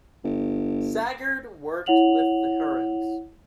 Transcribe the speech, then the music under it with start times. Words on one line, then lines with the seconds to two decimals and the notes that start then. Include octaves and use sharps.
Sagard worked with the Hurons.
0.24 G1
1.86 E4 C#5 F#5 F7 F#7